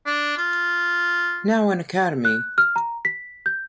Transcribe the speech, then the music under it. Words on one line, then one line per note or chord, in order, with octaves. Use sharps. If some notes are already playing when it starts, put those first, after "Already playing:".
Now an Academy.
D4
F4
F#6
F6
A#5
B6
G6